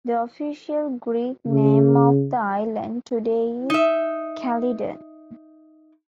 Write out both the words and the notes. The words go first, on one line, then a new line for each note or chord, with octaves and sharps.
The official Greek name of the island today is Kalydon.
C#3
D#4 E5